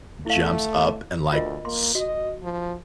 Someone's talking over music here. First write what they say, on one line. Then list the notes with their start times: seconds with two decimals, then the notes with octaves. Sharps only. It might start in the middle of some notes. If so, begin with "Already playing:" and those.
jumps up and, like, s
0.26 A3 E4 F5
1.33 D2 F4 A#4 D#5
1.65 A#3 C6
1.95 F#4 D#5
2.43 F3